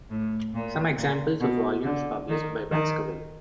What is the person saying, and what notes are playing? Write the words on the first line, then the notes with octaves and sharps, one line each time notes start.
Some examples of volumes published by Baskerville.
A2
A#2
A#2
B2
D3
D#3
D#3